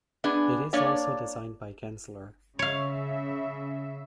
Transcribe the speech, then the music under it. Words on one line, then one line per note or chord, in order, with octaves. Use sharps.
It is also designed by Gensler.
B3 D4 G#4
A#3 D4 C#5 D5
C#3 C#5 E5 F5